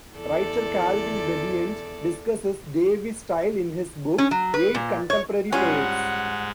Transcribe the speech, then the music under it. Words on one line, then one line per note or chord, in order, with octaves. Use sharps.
Writer Calvin Bedient discusses Davie's style in his book "Eight Contemporary Poets".
E2 A4 D5
C#4
F#3
B4
A#2
C#5
G#2 G3 G#3 C#4 F4 G4 F#5